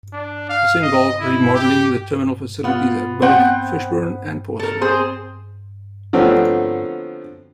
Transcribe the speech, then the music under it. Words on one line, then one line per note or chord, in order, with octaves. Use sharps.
This involved remodelling the terminal facilities at both Fishbourne and Portsmouth.
D4
F5
D#5
E4
G4
B3 F4
B3 C4 F#5 G5
A4 A#4
C4 G#4 C5
D3 F3 F#3 A3 B3 C4